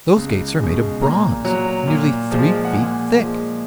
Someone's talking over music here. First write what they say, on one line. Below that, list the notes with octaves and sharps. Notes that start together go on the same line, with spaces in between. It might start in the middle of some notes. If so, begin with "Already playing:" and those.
Those gates are made of bronze, nearly three feet thick!
C#2
B2 G#3
A#2 A#5
F#3 A#5
A#2
F3 G#3
F#5
A#2 G#5
F3 G#3